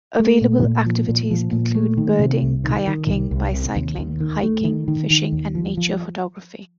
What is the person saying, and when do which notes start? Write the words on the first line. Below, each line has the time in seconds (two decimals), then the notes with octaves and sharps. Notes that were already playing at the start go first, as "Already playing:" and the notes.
Available activities include birding, kayaking, bicycling, hiking, fishing and nature photography.
0.20 A3
0.41 A#2
0.64 A#2
0.86 F3
1.09 A#2
1.31 F3
1.52 A#2
1.75 A3
1.97 D#3
2.19 C3
2.42 C2
2.64 D#3
2.87 D#3
3.08 C2
3.31 C2
3.54 C3
3.76 D#2
3.99 D#2
4.20 D#3
4.43 A3
4.65 D#3
4.88 D#3
5.10 D#3
5.32 D#2
5.55 F3
5.77 F3